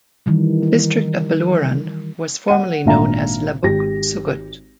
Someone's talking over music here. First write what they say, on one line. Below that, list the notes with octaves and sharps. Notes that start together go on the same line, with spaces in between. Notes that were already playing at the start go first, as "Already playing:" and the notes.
The district of Beluran was formerly known as Labuk-Sugut.
D#3 E3 G3
F#5 D#7
G#1 A#2 D4 E5 F5 A#5
G#1 G4 A#6